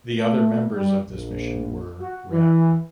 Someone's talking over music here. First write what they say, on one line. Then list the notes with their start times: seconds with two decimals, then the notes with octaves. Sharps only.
The other members of this mission were Rev.
0.18 A3
0.75 G3
1.09 A#1
2.01 F#4
2.31 E3